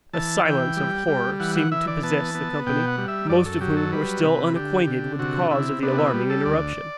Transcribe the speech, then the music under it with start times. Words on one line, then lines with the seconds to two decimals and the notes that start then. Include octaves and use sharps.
A silence of horror seemed to possess the company, most of whom were still unacquainted with the cause of the alarming interruption.
0.13 E3 A5
0.45 E3 G5
0.77 G3
1.08 G3
1.40 E3 F#5
1.56 F#5
1.72 E3 E5
1.87 D5
2.03 B3 A5
2.35 B3
2.66 B2 G5
2.87 F#5
2.98 G3
3.08 E5
3.29 F#2 D5
3.46 A4
3.61 F#3 G4
3.77 A4
3.92 G3 B4
4.24 C3 B4
4.56 D3 G4
4.87 D3
5.19 C3 F#4
5.51 C3 E4
5.83 B3 D4
5.98 E4
6.14 G3
6.30 A4
6.45 D2 D5